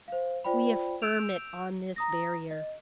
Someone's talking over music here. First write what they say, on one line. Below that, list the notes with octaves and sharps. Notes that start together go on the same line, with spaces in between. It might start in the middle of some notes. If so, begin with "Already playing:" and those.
We affirm it on this barrier.
C5 F5
F4 C5 D5 G5 B5
E6 G6 D7 E7 F7
A#5 D#6 A#6
D#5